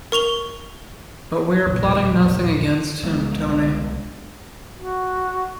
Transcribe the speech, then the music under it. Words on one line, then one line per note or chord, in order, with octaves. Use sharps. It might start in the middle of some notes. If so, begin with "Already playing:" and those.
But we are plotting nothing against him, Tony.
A#4 C#6 F7 G7
E1 A#1 D#2
C2 G#3 B3
F#4